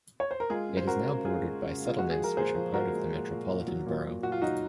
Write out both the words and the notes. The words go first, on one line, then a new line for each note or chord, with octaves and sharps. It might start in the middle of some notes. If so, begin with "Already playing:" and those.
It is now bordered by settlements which are part of the metropolitan borough.
C#5
C5
A#4
G#3 F4 G#4
C#3
C5
C#3 F#4 A#4
C#3
C#3 F4 G#4
G#3
C#3
G#3 F4
G#3 F#4
G#4
F3
A#4
A#2 G#4 C5
F3
G#3 F#4 A#4
G#3
A#2
A#2
A#2
F#3
A#2
A#2
A#2 F#4
F4
F#3 D#4 F#4